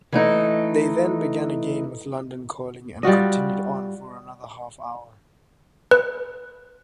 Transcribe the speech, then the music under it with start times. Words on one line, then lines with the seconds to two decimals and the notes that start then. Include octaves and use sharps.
They then began again with "London Calling" and continued on for another half-hour.
0.12 E3 A3 D#4
3.03 G3 F4 F#4 D#5
5.91 B4